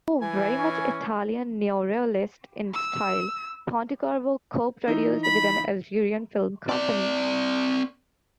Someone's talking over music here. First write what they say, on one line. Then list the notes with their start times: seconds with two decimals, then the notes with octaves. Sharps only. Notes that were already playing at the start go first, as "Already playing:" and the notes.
Though very much Italian neorealist in style, Pontecorvo co-produced with an Algerian film company.
0.22 E3 G#5
0.58 C#4
2.74 E6
4.87 E3 D#4
5.24 B5
6.69 C4 D5